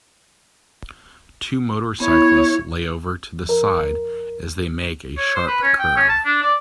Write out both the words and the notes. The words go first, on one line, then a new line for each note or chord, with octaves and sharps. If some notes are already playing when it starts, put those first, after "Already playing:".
Two motorcyclists lay over to the side as they make a sharp curve.
B3 E4 C#5
F2 A#4
C#5
C5
B4
C#4
G5
C#4
A5
D4
D5